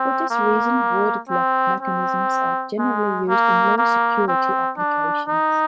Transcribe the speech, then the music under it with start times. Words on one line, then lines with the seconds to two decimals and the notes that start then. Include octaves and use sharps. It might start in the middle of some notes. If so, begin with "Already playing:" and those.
For this reason warded lock mechanisms are generally used in low security applications.
Already playing: C4
0.30 A#3
1.30 C4
1.80 C4
2.79 G#3
3.29 A#3
3.78 A#3
4.28 C4
4.78 D4
5.28 D#4